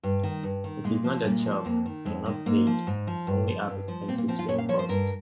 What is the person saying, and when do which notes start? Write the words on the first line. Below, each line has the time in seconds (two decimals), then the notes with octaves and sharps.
It is not their job, they are not paid, only have expenses reimbursed.
0.03 G2
0.23 D#3
0.43 G2
0.64 D#3
0.84 A#2 G#3
1.04 F3
1.24 A#2 G3
1.38 G#3
1.45 F3
1.51 G#3
1.65 F2 A#3
1.86 D#3
2.05 F2 G#3
2.25 D#3 G#3
2.46 G#2 A#3
2.67 F3
2.87 G#2
3.07 F3
3.27 G2
3.48 F3
3.68 G2
3.88 F3
4.08 A#2 C4
4.18 A#3
4.28 F3 C4
4.39 F4
4.48 A#2 C#5
4.58 F5
4.69 F3 C#5
4.79 C5
4.89 G2 A#4